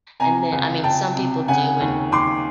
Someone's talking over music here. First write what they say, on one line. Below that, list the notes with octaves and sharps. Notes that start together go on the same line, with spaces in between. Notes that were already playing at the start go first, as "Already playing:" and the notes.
and then I mean, some people do and,
C3 G#5 A#5
C#2
C#2 G5 A5
C3
C#3 F#5 G#5
D#2
D#2 C6 D6